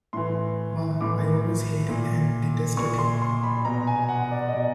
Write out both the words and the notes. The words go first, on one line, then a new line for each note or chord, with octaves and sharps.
Ma, I always hated and detested him.
A2 E3 C6
A2 E3 D6
A#2
A#2 C#6
C6
C6
B5
B2 A#5
G#5
F#5
D5
D#5
B2 D5